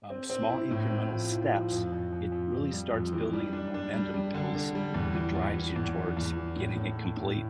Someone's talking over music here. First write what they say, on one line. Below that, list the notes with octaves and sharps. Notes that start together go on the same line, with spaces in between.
um, small incremental steps, it really starts building the momentum builds that drives you towards getting it complete.
C4
C4
E4
A2
C4
F3
E4
F3
F2
F2
F2
F2
F2
G3
F2
E3
G3
D4
D4
G3
G3
D3
D3
G3
E2
E3
E2
E3
E2
E3
E2
E3
A2
A2
A3
A2